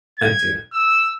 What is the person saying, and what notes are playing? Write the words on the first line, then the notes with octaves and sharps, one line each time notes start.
I see.
G#6
E6